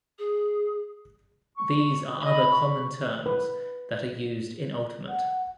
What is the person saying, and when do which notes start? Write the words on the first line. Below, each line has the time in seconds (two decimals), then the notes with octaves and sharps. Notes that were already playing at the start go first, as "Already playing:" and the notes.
These are other common terms that are used in Ultimate.
0.19 G#4
1.57 C#6
2.23 D#5 B5
2.52 C#6
3.26 B4
5.09 F#5